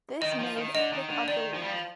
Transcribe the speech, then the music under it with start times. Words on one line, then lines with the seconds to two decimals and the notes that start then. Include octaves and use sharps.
This made pick of the week.
0.22 D#3 D#5
0.33 D#3
0.40 F3
0.57 D#3
0.75 D3 D#5
0.93 D#3
1.10 D3
1.28 D#3 D5
1.54 F3
1.62 G3
1.68 F3